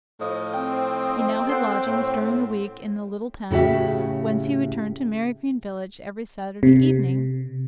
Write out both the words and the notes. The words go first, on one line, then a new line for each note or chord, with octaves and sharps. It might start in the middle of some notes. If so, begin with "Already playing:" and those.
He now had lodgings during the week in the little town, whence he returned to Marygreen village every Saturday evening.
A2 F3 D#5
C4 G5
A4 C5 F#5
A2
A2 C#3 F#4 G4 E5
C3